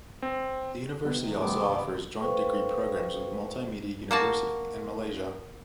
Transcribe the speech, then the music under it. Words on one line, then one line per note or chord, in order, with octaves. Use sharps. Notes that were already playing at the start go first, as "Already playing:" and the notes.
The university also offers joint degree programs with Multimedia University in Malaysia.
C4
C3 D#3 G3 B3
F#2 G3 A3 B3 C4 D6
A4 B4 C5 F5 G5 C#6
A#3 F#4 A5